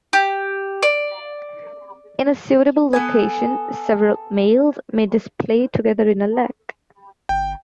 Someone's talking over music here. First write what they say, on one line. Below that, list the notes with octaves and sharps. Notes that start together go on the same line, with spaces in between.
In a suitable location several males may display together in a lek.
G4
D5
B3 A4 G#5
G1 G5